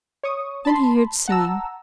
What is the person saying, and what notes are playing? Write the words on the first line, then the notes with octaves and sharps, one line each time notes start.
Then he heard singing.
C#5 C#6 D#6
A5 B5 C6
F#5 A5 A#5 E6